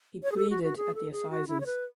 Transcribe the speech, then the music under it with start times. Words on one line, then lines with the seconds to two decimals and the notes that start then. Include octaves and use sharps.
He pleaded at the assizes.
0.23 C#5
0.32 G#4
0.37 A4
0.50 F#4
0.63 F#4
0.77 G#4
0.95 A4
1.12 G#4
1.30 F#4
1.48 E4
1.61 C#5
1.66 B4